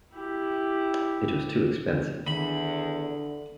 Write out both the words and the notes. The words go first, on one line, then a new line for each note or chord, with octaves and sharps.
It was too expensive.
E4 G4
E2 D3 D#3 B5